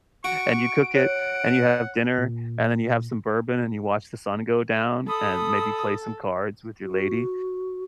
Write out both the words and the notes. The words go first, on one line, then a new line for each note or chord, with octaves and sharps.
and you cook it, and you have dinner, and then you have some bourbon, and you watch the sun go down, and maybe play some cards with your lady,
F#4 C#6 D7
C#5 F#5
A#2
A4 B5 D#6
F#4